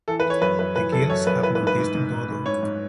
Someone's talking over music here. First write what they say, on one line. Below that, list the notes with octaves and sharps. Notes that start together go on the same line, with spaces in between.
The gills have no distinct odour.
E3 A4
B4
E3
C#5
F#2 B4
F#2 B4
E3 B4
F#2 A4
F#2 C#5
F#2 B4
E3 B4
B4
G#2
B4
G#2
G#2
G#2
G#2
G#2 C#5
G#2